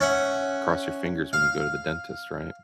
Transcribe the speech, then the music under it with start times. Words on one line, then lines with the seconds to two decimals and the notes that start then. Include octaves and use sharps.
cross your fingers when you go to the dentist, right?
0.01 C#4 E5 F#5
1.33 F5